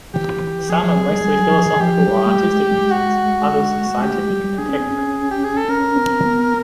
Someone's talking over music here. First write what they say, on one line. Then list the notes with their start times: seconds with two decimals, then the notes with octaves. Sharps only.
Some are mostly philosophical or artistic musings, others are scientific and technical.
0.14 E3 G4
0.41 E3
0.69 F3 G#4
0.83 F3
0.97 F#3
1.11 G3
1.24 G3
1.39 F#3
1.52 F3
1.66 E3
1.76 E3
1.80 F3 G4
2.00 F#3
2.08 G3
2.26 A3
2.36 G#3
2.64 G#3
2.71 G3
2.78 G#3
2.92 F#4
3.91 G#3
4.02 A3 G4
4.16 G#3
4.30 G3
4.44 G3
4.58 D4 G#4
4.69 C#4
4.80 C4
4.91 C#4
5.31 G4
5.44 G#4
5.57 A4
5.69 C#4 A#4
5.96 C4
6.25 B3